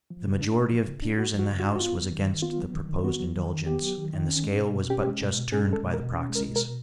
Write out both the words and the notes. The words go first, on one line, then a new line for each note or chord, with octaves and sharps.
The majority of peers in the House was against the proposed indulgence, and the scale was but just turned by the proxies.
F3
C#3
D4
A#3
F3
C#3
D4
A#3 F#4
F3
F#4
C#3
F#4
D4
F#4
B3 F4
F#3
D#3
D#3
B3 F4
F#3
D#3
D#3
B3 F#4
F#3
D#3
D#3
B3 G4
F#3
D#3
D#3
C#4
G#3
B2
B2
C#4 G4
G#3
B2
B2
C#4 G#4
G#3 A4
B2
A#4
B2
C#4
G#3
A#4
B2
A#4
B2